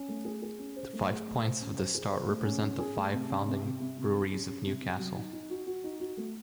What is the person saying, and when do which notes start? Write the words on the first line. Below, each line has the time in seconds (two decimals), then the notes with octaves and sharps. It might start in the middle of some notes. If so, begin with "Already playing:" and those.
The five points of the star represent the five founding breweries of Newcastle.
Already playing: C#4
0.08 A3
0.25 G#4
0.42 G#4
0.59 C#4
0.76 C5
0.93 A3
1.10 G#4
1.27 A3
1.43 C5
1.61 C#4
1.77 C5
1.95 G#4
2.11 C5
2.28 A3
2.45 C#4
2.62 C#4
2.79 G#4
2.96 A3
3.13 C3
3.29 C#4
3.47 C3
3.63 C3
3.80 C3
3.97 C3
4.14 C3
4.31 C#4
4.48 C#4
4.65 C3
4.82 C3
4.99 F#3
5.16 D#4
5.33 D#4
5.50 F#4
5.66 F#4
5.84 D#4
6.00 F#4
6.17 A3